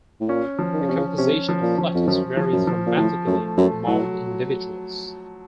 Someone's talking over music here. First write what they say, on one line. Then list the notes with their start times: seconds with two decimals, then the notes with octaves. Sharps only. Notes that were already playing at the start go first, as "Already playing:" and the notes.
The composition of flatus varies dramatically among individuals.
0.21 A2
0.29 A#2 C#4
0.59 F3
0.73 D#3
0.81 C#3
0.89 C3 C#4
0.97 C#3
1.18 C3 C#4
1.49 F3
1.63 A#2
1.78 F3
1.95 F2
2.07 F#2 F3
2.37 F3
2.53 F#2
2.67 F3
2.87 A#2
2.97 A2 F3
3.27 F#2 A3
3.58 F#2 A3
3.87 A2 F#3